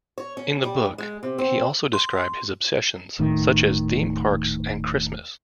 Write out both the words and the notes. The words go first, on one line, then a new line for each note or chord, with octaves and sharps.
In the book, he also describes his obsessions, such as theme parks and Christmas.
C#5
C#4
G3
G#2
G#3
C3
C4
C6
D#1 A2 D#3